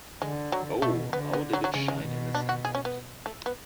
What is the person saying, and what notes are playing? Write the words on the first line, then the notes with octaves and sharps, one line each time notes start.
Oh, how it did shine in the sunlight!
D3 G#3
F#3
B2 A3
D3 B3
B3
F#3
F#3
C#3 G#3
G#3
B2
D4
F#4
G#4
C#4
B3
A3
B3